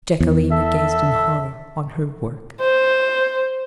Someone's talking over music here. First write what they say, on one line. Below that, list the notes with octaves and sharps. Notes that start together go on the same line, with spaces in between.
Jacquelina gazed in horror on her work.
E2
A4 E5
C5